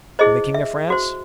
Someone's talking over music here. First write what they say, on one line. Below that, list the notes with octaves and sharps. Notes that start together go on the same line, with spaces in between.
"From the king of France?"
E4 G#4 C5 D#5
E5
F#4 C5